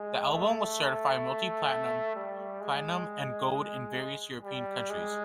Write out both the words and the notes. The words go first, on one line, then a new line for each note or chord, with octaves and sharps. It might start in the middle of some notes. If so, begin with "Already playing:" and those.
The album was certified Multi-Platinum, Platinum and Gold in various European countries.
Already playing: G#3
A3
G3
G#3
G#3
G3
G#3